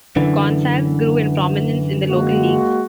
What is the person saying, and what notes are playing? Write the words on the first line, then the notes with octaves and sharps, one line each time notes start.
Gonsalves grew in prominence in the local leagues.
F#2 D3 E3
G#3 A#3 F#4